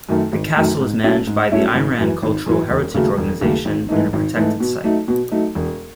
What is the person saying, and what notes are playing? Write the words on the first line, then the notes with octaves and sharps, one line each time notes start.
The castle is managed by the Iran Cultural Heritage Organisation and a protected site.
F#2 D#3 A3
G#1
F#2 D#3 A3
G#2
F#3 A3 C#4 E4
G#2
F#3 A3 C#4 E4
G#1
F#2 E3
G#1
F#2 E3
E1
D#2 C#3 F#3 A3
E1
D#2 C#3 F#3 A3
G#1
G#2 E3 A3 D#4
G#1
G#2 E3 A3 D#4
B2
F#3 A3 D#4
B2
F#3 A3 D#4
E1